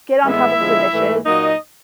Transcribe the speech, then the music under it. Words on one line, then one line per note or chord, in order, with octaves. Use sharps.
get on top of the dishes,
A2 E3 G#3 B3 E4 E5
D3 F3 G#3 B3
G#2 E3 A3
A#2 F#3 A#3 D#4 D#5